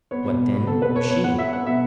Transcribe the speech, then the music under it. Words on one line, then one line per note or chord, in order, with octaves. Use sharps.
What, then, was she?
B3 C#5
B2
B2
B3
B3 A4
B2 B4
B2 C#5
B3 C#5
B3 F#5
B3 E5
B3 F#5
B2 E5